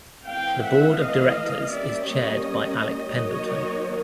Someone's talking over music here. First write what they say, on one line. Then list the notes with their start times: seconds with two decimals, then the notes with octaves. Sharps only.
The Board of Directors is chaired by Alec Pendleton.
0.25 E3 A3 C4 F5 G5
0.61 E5 F#5
0.98 D#5 F5
1.70 G3 A#3 C#4 D5 E5
2.06 C#5 D#5
3.16 D#3 F#3 A#3 C#5 D#5